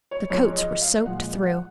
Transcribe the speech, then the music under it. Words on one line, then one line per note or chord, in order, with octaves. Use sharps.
Their coats were soaked through.
C#5
G#2 F3 G#3 C#5
D#5
F5
A#2 F3 G#3 F#5
F#5